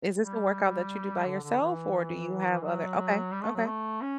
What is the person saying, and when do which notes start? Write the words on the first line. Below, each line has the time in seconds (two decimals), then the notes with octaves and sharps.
Is this a workout that you do by yourself or do you have other okay, okay.
0.23 G3
1.26 D3
1.43 D3
1.61 E3
2.64 F#3
3.32 G3
3.43 A3
3.55 F#3
3.66 A3
4.02 C#4